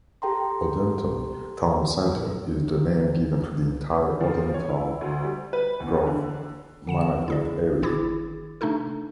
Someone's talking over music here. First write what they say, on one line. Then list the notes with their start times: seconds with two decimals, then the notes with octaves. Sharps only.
Odenton Town Center is the name given to the entire Odenton Growth Management Area.
0.22 G4 A4 G5 A#5 C6
4.21 F3
4.54 C#5
4.68 E4
5.01 D2
5.24 G3
5.53 B4
5.80 E2
6.07 D3
6.87 D3 F#5 E7
7.28 E4 G#4 D5
7.82 G1 D#3 E4 G#4 D6 A6
8.61 C3 A3 D4 D#4 A4